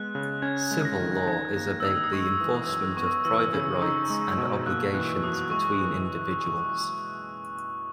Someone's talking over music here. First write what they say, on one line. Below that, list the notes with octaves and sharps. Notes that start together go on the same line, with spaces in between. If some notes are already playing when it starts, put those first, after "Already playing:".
Civil law is about the enforcement of private rights and obligations between individuals.
Already playing: G#3 B3 F#6
C#3
C#4 G#6
G#3
A#6
D#3
D#4 G#6
A#3
E6
D#3 D#6
E6
D#6
G#3 C#6
E3
D#6
F#2
B3 C#6
E3 E6
C#3 E6
D#4
G#3
B2
A#3 F#6
E3 F#6
F#2 D#6
G#3 C#6
E3